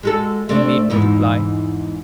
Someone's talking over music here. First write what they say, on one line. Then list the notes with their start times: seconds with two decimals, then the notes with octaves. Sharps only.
He made no reply.
0.03 G#3 F#4 A4
0.49 A3 C4 D4
0.90 E2 G#2 E3